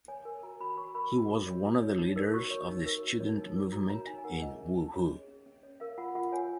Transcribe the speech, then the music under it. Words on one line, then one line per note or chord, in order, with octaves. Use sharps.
He was one of the leaders of the student movement in Wuhu.
C#5 G#5
A#4 G#5
F#4 A#5
F#4 B5
C#5 C#6
A#4 B5
F#4
F#4
C#5
F#4
C#5
D#4
A#4
F#4 C#6
C#5
D#4
A#4
F#4
C#5
D#4
A#4
F#4 A#5
C#5 A#5
D#4 G#5
G#5
A#4 F#5
G#4 D#5
C#4
C#4
C#5
G#4
C#4
C#4
C#5
A#4 F5
F4 F#5
F4 F#5
C#5 G#5